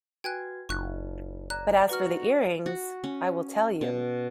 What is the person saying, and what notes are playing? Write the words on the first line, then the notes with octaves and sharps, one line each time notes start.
But as for the earrings — I will tell you.
F#4 B4 G5 G#5 F#6 G#6
F#1 D#4 F4 C#6 F#6
D5 A#5 F#6
F#4 B4 F6
F#4
C#4
B2